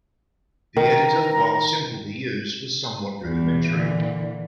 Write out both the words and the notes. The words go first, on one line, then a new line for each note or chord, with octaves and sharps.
The editor, while simple to use, was somewhat rudimentary.
D#3 A#5
E2 E3
A#2 D3